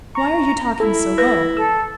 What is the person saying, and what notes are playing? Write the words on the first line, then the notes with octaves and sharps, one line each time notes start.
Why are you talking so low?
A#5 C#6
E4 A4
B4 A#6
A4 E6